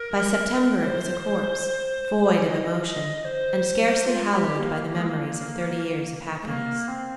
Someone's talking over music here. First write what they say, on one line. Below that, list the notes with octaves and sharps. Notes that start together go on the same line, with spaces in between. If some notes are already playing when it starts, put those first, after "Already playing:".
By September it was a corpse, void of emotion, and scarcely hallowed by the memories of thirty years of happiness.
Already playing: A#4
C5
C#5
D#5
D#5
C5
F4
G4
A#3
A#3
G#3
A#3
G#3
A#3
C4